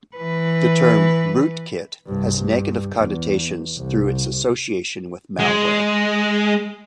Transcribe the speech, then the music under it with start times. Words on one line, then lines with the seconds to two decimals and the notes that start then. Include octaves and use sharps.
The term "rootkit" has negative connotations through its association with malware.
0.16 E3 B4
2.07 C2 G2
2.37 G2
2.95 E2
3.77 C2
5.39 G#3